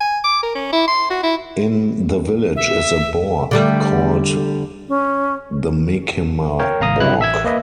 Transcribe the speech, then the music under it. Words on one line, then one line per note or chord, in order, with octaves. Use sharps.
In the village is a "borg" called the Menkemaborg.
G#5
D6
A#4
C#4
E4
C6
F#4
E4
E5
D3 G3 A3
C#4
A#4 C#5 G5
G#1 F5 A#5 D#6
G2 C3 F#3 E4 F#6
A1 E5 E6 G#6
A#3 B4 D#5 E5